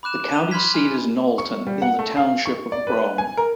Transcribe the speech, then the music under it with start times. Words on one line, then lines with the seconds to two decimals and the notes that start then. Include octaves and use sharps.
The county seat is Knowlton in the Township of Brome.
0.03 B5 D6 F#6 E7
0.32 D#7 F7 G7
0.51 B5 C6 F6 G#6 B6
0.74 G#5 F6 B6 D#7
1.38 C#6
1.67 G3
1.82 F#5
1.99 A3
2.17 F5
2.45 C#6
2.72 D5
2.87 B4
3.18 G#5
3.37 A#4